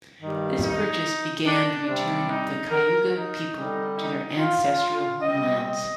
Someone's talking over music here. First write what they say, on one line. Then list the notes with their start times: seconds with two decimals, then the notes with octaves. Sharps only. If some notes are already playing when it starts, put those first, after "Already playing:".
This purchase began the return of the Cayuga People to their ancestral homelands.
0.20 G2 D#3 G3
0.61 D#4
1.45 D4
1.86 C3 G3 C4 D4
2.29 D#4
2.71 A#4
3.13 D#4
3.54 D3 G3 C4
3.97 D#4
4.38 F4
5.21 C3 G3 C4 D#5
5.64 D#5